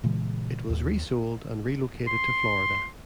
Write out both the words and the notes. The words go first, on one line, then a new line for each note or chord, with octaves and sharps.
It was resold and relocated to Florida.
A#2 C#3 E3 G#3
D#2
C6